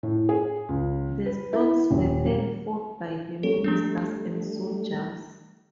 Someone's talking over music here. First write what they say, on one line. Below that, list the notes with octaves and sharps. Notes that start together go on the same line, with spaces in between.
The stones were then fought by the ministers and soldiers.
A2
G#4
C#2
B4
E4
D#1
A#3
G3 A#3 C#4 A4
F3 G3 A3 B3 D4